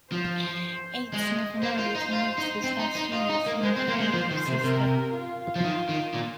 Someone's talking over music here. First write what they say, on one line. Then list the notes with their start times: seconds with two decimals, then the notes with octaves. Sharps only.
Eights never married and lived his last years in the home of a sister.
0.12 F3 C5
1.13 G#3 D#5
1.63 A#3 C5
1.79 F4
1.96 D#4
2.13 F4
2.38 D#4
2.64 C4
2.79 D#4
2.96 D#4
3.13 F4 D#5
3.29 D#4
3.46 A#3
3.63 G#3 C5
3.76 C4
3.88 A#3
4.00 G#3
4.14 F3
4.31 D#3
4.47 C3
4.64 C3 A#4
5.14 F4
5.56 F3
5.64 D#3
5.89 D#3
6.14 A#2